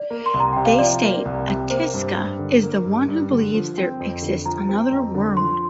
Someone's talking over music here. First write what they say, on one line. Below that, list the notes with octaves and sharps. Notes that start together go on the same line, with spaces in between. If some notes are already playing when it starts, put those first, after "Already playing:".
They state, Astika is the one who believes there exists another world.
Already playing: D5
A#3
C6
C2
A#5
C3 G5
F5
F3 D5
A#3
C2
C3
A#3 C5
G2
G2
D3
A#3
G2
G2
D3
F3
C4
F2
D3
F3 A#5
C4
F2
D3
F3 C6